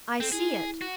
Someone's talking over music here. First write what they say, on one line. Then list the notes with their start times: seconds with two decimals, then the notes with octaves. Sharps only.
I see it!
0.20 C4 A4
0.32 E4 G#4
0.81 F#4